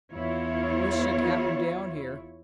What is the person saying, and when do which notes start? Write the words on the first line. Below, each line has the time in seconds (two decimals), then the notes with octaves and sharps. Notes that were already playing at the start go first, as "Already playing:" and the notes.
Wish she'd happen down here.
0.12 E2 E4 F4 C#5